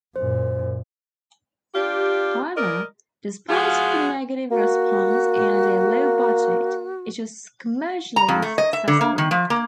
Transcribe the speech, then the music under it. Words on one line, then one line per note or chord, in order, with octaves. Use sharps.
However, despite the negative response and a low budget, it was commercially successful.
F#2 A#2 C5
D4 F4 G4
A#4 D5 D#5
F3 G#3 B3 F4 F#4 G#4
A#3 F#4
A#5
F2
A3
D#5
E5
D3
A#3
D#3
F3
A#3